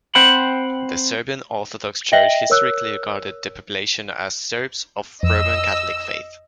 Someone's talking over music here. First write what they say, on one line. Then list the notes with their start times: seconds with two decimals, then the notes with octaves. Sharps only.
The Serbian Orthodox Church historically regarded the population as "Serbs of Roman Catholic faith".
0.15 C4 C5 F#5 G5 B5
2.12 D#5 E5 G5 A#6 F#7 G7
2.50 A#4 C#5 E6 F#6
5.23 F2 D#5 E6